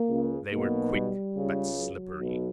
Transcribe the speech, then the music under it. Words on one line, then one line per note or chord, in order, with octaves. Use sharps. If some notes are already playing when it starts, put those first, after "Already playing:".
They were quick, but slippery.
Already playing: A#3
C#2 C#3
B1 B2 A#3
G3
C#2 C#3
F#3
B1 B2